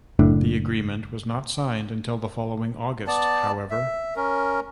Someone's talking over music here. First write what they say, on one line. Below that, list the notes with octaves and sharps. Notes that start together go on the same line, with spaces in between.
The agreement was not signed until the following August, however.
F#1 A2 D4
B3 D5 A5
E5
C#4 A#4